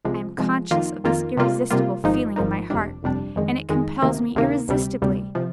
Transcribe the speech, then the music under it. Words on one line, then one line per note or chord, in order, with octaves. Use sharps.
I am conscious of this irresistible feeling in my heart, and it compels me irresistibly.
C2 C3 F3 G#3
C2 C3 F3 G#3
F2 D#3 A#3 F4
F2 D#3 A#3 F4
C3 G3 A#3 F4
C3 G3 A#3 F4
G#1 G#2 F3 A#3 D#4
G#1 G#2 F3 A#3 D#4
G1 F2 C3 G3 D4
G1 F2 C3 G3 D4
F2 D#3 G#3
F2 D#3 G#3
D2 C3 D#3 A#3
D2 C3 D#3 A#3
D2 C3 G3
D2 C3 G3
C3 F3